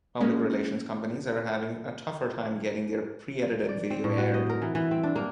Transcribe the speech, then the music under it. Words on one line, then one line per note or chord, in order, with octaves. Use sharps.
Public relations companies are having a tougher time getting their pre-edited video aired.
G#3 A#3 C#4
D5
C4
A2
F#4
D#5
A#4
E3
E3
C4
D4
A#3